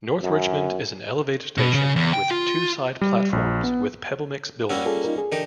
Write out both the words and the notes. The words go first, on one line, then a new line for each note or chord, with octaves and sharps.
North Richmond is an elevated station with two side platforms with pebblemix buildings.
F#2
B2
C#3
E2
G5
F4
G3
A#1
B3
G3 A#3 C#4 F#5 E6
F4 G#4 A4
D#4 F4 A#4
G#4
D3 E3 D#4 G4 A#4